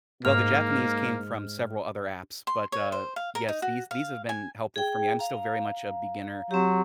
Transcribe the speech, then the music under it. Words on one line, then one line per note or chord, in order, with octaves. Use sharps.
Well, the Japanese came from several other apps, but, uh, yes, these these have been helpful for me, I'm still very much a beginner
G#2 A#3 F6
C6
C#5
C5
F5
A#4
D#4
F#4
F5
G#5
G#4 G5
F5 A#5
F#3 C4 G4